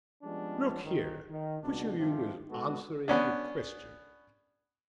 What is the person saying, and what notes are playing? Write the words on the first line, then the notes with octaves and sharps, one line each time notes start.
"Look here, which of you is answering the question?"
F3 G3 G#3 B3 C#4 D4
G1 D#3
D#3
C#2 B2 D4
G2 C3 D#3 F3 G#3 G4
G#3 B3 D#4 F#4 A4
B3 C#4 D4